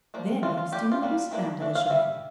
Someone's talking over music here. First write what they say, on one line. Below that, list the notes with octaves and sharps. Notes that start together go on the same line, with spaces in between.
Then he extended his hand to the chauffeur.
F3 A#3 D4
E3 A#3 D4 F4
F4
G3 D4 G4
F4
G3 A#3 D4
E3 A#3 D4
E3 A3 D4
F5
E3 G3 E5